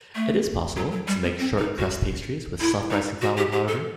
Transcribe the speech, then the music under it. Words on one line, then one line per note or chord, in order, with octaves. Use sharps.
It is possible to make shortcrust pastry with self-rising flour, however.
A3
F#3
F#3
G3
B3
C4
D#4
F#4
E4
D#4
F#4
G4
G4
A4